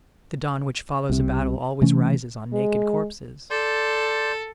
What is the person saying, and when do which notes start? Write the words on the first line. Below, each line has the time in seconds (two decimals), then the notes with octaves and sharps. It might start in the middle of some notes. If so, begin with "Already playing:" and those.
The dawn which follows a battle always rises on naked corpses.
1.10 C2 C3
1.82 C3 E3 A3 C#4
2.52 G#3
3.51 A4 D5 C6 G6